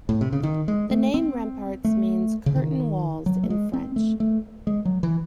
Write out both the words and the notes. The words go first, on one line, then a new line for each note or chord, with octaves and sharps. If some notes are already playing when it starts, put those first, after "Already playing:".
The name "Remparts" means curtain walls in French.
A2
C3
C#3
D#3
G#3
A3
C4
A3
C#3
D#3
F#3
A3
G#3
C4
A3
A3
G#3
F#3
E3